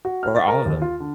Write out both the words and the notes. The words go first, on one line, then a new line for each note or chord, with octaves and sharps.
Or all of them?
F#4
F6
A6
A#4
D#2
F4
D3